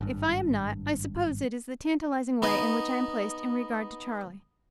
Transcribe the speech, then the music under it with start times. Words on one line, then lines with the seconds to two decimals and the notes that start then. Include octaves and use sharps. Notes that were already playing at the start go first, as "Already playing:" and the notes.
If I am not, I suppose it is the tantalizing way in which I am placed in regard to Charley.
0.01 G#1 G2
2.42 B3 D#4 D#5